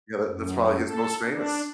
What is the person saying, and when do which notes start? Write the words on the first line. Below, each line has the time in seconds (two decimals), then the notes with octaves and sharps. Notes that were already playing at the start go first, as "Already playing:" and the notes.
yeah, that that's probably his most famous.
0.24 F#2
0.82 A4
1.26 D4